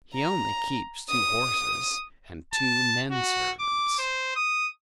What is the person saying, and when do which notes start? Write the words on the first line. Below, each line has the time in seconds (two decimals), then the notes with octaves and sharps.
He only keeps two horses and two men-servants.
0.14 A#5
1.10 D#6
2.53 A5
3.11 F#4
3.59 D6
3.98 C5
4.36 D#6